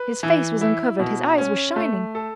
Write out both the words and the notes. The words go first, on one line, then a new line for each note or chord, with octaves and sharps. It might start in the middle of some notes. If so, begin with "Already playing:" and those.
His face was uncovered, his eyes were shining.
Already playing: B4
E3
E4
B2
C#4
A3
A4